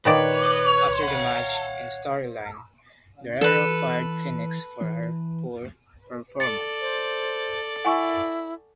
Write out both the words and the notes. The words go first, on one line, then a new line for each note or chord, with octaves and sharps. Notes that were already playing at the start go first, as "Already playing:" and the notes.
After the match, in storyline, Guerrero fired Phoenix for her poor performance.
A#2 D#3 B4 C#5 D5
F5 F#5
E3 A4 B4
E3
A4 D5 A6 C#7
C5
E4 F#5 G#5 C#6